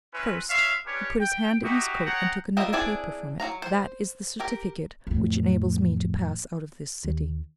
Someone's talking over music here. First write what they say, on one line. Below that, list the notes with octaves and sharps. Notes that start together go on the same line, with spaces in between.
First," he put his hand in his coat, and took another paper from it, "that is the certificate which enables me to pass out of this city.
C4 C#4 E4 B4
F4 C#5 E5 F5
C#4 D4 G4 B4 C#5
G5
D#4 E4 F#4 G4
G#4 C#5 F#5 G5 A#5
G3 A#3 F4 D#5 E5
C4 D4 E4 G#4 D5
F#3 F#4 F5 A#5
C5
G4 A#4
F2 A2
D#2